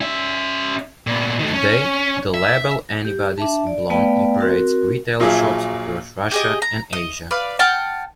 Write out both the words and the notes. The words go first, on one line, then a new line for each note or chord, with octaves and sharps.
Today, the label Anybody's Blonde operates retail shops across Russia and Asia.
C#4 E5
A#2 B3
D#3 A3
C#4
E5
G4
D4 E5 A5
D5
A3 B3 B4 D5 F5 G5
C4 F#4 A#4
A#1 A#2 F#3 F4 G#4 E5
G4 G#4 D#5
A#5
D#5
B4 D5 F5
F#5 G5 A5 F6